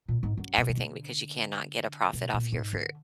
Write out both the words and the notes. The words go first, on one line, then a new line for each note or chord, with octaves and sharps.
everything, because you cannot get a profit off your fruit.
A#2
G#2
F#2
B2
D#3
D3
B2
A#2
G#2
D3